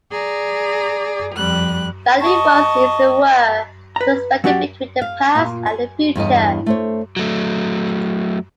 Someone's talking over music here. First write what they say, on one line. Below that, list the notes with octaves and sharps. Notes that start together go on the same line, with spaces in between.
Value was, as it were, suspended between the past and the future.
G#4 D5 A#5
F2 G3 F#6
D#5 A5 C#6
B4 A#5
F#3 C#4 F#4 G4 D5 F#5
F5
A#2 F4
G#5
E2 G2 C#5 D#5
A3 C5 C#5
F#3 A3